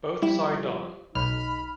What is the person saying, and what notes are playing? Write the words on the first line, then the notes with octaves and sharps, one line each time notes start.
Both signed on.
F3 G3 E4
B1 D#4 B5 F6